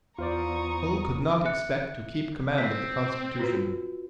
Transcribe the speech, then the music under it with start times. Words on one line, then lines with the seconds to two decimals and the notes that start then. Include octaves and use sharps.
Hull could not expect to keep command of the Constitution.
0.18 E2 B3 F4 C5 D5 A#5 C#6 D#6
1.45 E5 F#6 C#7
2.58 C4 B6
3.39 F4 F#4 B4